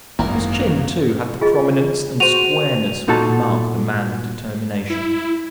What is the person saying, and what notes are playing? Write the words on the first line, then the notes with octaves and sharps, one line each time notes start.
His chin, too, had the prominence and squareness which mark the man of determination.
G#1 F#2 D#3 A#3 B3 E4 A#4
F4 G#4 D#5
F#4 C5 D#7 F7
A#2 D#4 F#4 A4 A5
E4